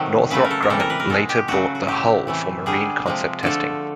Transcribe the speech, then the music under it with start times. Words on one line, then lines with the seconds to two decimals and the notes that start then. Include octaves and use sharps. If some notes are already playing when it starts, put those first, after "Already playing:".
Northrop Grumman later bought the hull for marine-concept testing.
Already playing: C3 D#3 F#3 A3
0.30 C#3 F#3 A3 B4
0.44 A#4
0.51 A4
0.63 A#4
0.70 C3 E3 G3 A4
0.80 A#4
0.90 B4
1.00 A#4
1.09 B2 G#3 A4
1.29 G4
1.48 C#3 F#3 A3 F#4
1.75 F#4
1.87 A2 F#3 A3 G4
2.27 C3 E3 A3
2.66 D3 G3 G#4
3.06 C3 F3 G#3
3.43 D3 F3 A3 A4